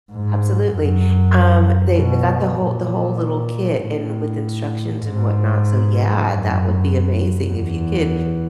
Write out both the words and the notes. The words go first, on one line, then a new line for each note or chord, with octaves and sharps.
Absolutely, um, they they got the whole the whole little kit and with instructions and whatnot. So yeah, that would be amazing if you could
G#2
F#2
B2
A#2
A2
G#2
F#2
E2